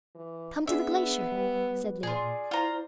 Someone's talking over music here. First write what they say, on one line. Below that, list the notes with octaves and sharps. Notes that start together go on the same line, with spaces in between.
"Come to the glacier," said Leo.
E3
B3 D4 G#4 E5
G3 B4
A#2 F4 G#4 D5
E4 F4 C5 A#5